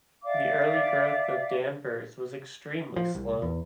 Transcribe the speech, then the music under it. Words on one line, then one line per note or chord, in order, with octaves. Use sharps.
The early growth of Danvers was extremely slow.
D5 E5 F5 D6
F3
C2
E2